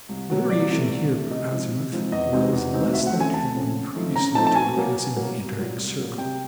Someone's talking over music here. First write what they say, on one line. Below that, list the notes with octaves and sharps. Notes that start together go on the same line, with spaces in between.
The variation here, per azimuth, was less than it had been previously to our passing the Antarctic circle.
C2
B2 F#3
C2 D5
C3 E3 A3
C2
C3 E3 A3
C3 D#5
F3 G#3 C4 D#4
C3
F3 G#3 C4 D#4
E2 D#5
B2 G#3 C4 D#4
E2
B2 G#3 C4 D#4
D2 E5
F#5
C#3 F3 A3 C4
G#5
D2 A5
C#3 F3 A3 C4
C#3
F3 A3 C4 D#4
C#3 A#5
F3 A3 C4 D#4 A5
A5
B2 G#5
F#3 A#3
B2
F#3 A#3
C2
A#2 F#3 A#3
C2
A#2 F#3 A#3
C3 G5